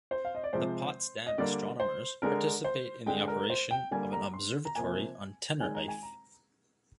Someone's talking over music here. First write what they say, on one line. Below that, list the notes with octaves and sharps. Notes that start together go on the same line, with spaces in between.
The Potsdam astronomers participate in the operation of an observatory on Tenerife.
C5
F5
D#5
D5
C3 F3 G#3 C5
D#5
D3 G3 A#3 D5
C5
D3 G#3 A#4
C5
D3 G#3 G5
A#4
C5
G5
D3 G3 A#3 G#5
A#5
C6
A#5
C3 F3 A#3 G#5
D#3 G#3 G#5
A#5
G#5
A#5